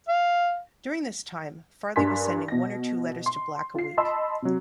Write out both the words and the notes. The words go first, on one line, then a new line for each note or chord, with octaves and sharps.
During this time, Farley was sending one or two letters to Black a week.
F5
G2 A#4 G#5 C6 B6
B2 A#6
C6
F4 C7
D#5 A5 B5 C6 E6
C3 F#3